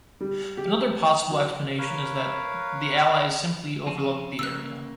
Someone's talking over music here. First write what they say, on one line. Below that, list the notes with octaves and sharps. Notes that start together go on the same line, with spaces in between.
Another possible explanation is that the Allies simply overlooked the area.
G3
G4
F#3
A#4 B4 C#5 F5
F3 C4 C#4
C#3 A#3 E6 F#6